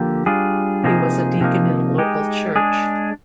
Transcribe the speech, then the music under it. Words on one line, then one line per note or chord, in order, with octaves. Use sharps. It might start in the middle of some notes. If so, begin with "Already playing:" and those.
He was a deacon in a local church.
Already playing: D3 F3 A#3 G4
G3 D4 F4 G#4
C3 F3 A#3 D#4 G#4
C3 F3 A#3 D#4
G#3 D#4 G4
G#3 D4 G#4